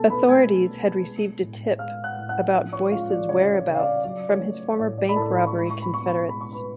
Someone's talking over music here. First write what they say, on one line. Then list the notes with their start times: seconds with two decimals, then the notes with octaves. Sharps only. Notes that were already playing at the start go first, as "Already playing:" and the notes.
Authorities had received a tip about Boyce's whereabouts from his former bank robbery confederates.
Already playing: B2 A3 A4 A5
0.10 B4 B5
0.29 A3 G#5 G#6
0.66 B2
1.04 G#3
1.41 A2
1.79 G#3 F5 F6
2.04 F#5 F#6
2.17 A2
2.29 F#5 F#6
2.54 F3
2.72 C#5 C#6
2.91 G#3 F4 F5
3.10 D5
3.29 C#3 C#5
3.54 C#5
3.67 C#3
3.75 F5
3.79 D5
4.04 F#3 D5
4.29 C#5
4.41 A3
4.79 A2 C#5
4.98 D5
5.09 B5
5.16 A2 A4 A5
5.35 B5
5.47 C#6
5.54 G#3 B5
5.70 C#6
5.82 B5
5.91 B2 C#6
6.06 B5
6.17 C#6
6.29 G#3 B5
6.41 C#6
6.53 B4 B5